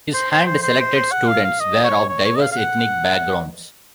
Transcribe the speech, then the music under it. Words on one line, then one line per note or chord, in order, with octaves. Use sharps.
His hand-selected students were of diverse ethnic backgrounds.
C5
C5
C5
C5
C5
C5
F#5
F5
F5
D#5
C#5
C#5
C#5
D#5
F5
F5
F#5